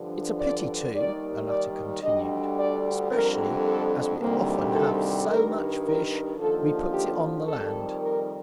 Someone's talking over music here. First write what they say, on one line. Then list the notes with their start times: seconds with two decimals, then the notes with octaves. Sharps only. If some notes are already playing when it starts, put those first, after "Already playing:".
"It's a pity too," the latter continued, "specially as we often have so much fish we puts it on the land."
Already playing: G2 D3 F3
0.39 D5
0.94 D#2 D#3 G3 D5
1.49 D5
2.03 D2 D3 G3 D#5
2.58 D5
3.12 F2 D3 G3 A#4
3.66 A4
4.20 D2 C3 D#3 G3 A#3
4.75 A4
5.29 G2 D#3 G3 A#4
5.84 A#4
6.38 D#2 D3 F3 A4
6.93 G4
7.47 F2 D#3 G3 A4
8.01 A#4